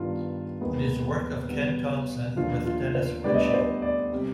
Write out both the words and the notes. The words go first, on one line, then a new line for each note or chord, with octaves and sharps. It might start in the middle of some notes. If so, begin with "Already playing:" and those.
It is the work of Ken Thompson with Dennis Ritchie.
Already playing: G2 D#3 B3 F4
D#2 D#3 G#3 B3
B2 G3 B3
D#2 D3 F3 F4
F4
C5
D2 D3 G3 B3 D5
D#5
D5
C5
D5
C3 G3